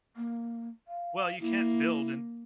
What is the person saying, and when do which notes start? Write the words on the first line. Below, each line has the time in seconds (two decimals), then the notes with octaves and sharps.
Well, you can't build in
0.16 A#3
0.88 F5
1.40 A#3 E4